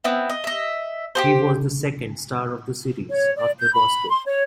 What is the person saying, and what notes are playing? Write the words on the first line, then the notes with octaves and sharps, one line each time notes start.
He was the second star of the series, after Bosko.
B3 C4 E4
D#5
D#5 E5
G4 G#4 C5
C#5
D5
G6
B5
C6
C#5